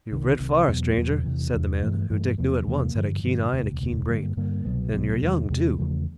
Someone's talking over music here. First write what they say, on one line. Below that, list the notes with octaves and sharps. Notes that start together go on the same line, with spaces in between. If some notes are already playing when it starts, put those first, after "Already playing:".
"You've rid far, stranger," said the man, who Dick knew at once had a keen eye and a keen brain, "an' you're young, too."
C2 C3 D#3
C2 C3 D#3
E2 B2 F#3 B3
E2 B2 F#3 B3
E2 C3 E3
E2 C3 E3
G2 E3 A3
G2 E3 A3
E2 C3 F3 A#3
E2 C3 F3 A#3
G2 D3 F3
G2 D3 F3
E1 D2 C3
E1 D2 C3
G2 D3 G3 A#3
G2 D3 G3 A#3
C2 B2 F#3 B3
C2 B2 F#3 B3
E2 C3 D#3 G#3
E2 C3 D#3 G#3
E2 C#3 F3 A3